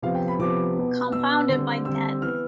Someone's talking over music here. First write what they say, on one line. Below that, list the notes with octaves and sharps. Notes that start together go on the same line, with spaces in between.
Compounded by debt.
C3 F3 B3 F5
G5
B5
C3 F3 B3 D6
B2 B3
B2 B3 E6
D3 G3 C4
D3 G3 C4 E6
E3 B3 F6